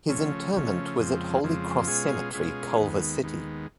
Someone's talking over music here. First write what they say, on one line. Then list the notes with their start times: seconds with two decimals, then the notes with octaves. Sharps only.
His interment was at Holy Cross Cemetery, Culver City.
0.08 C#3 F3 A3 C#4
0.53 C#3 F3 A3 C#4
0.97 F2 C#3 F3 G#3 C4
1.43 F2 C#3 F3 G#3 C4
1.87 B2 G#3 C#4 F4 G#4
2.33 B2 G#3 C#4 F4 G#4
2.77 D#2 D#3 G#3 B3
3.22 D#2 D#3 G#3 B3